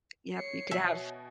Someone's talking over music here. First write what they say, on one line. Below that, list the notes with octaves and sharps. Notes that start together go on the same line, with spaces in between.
yep, you could have
C#5 C7 C#7
B2 E5 G#5 F#7